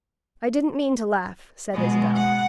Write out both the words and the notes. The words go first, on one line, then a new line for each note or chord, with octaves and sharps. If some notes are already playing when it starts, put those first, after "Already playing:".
"I didn't mean to laugh," said Isabel.
B2 G#3
F#5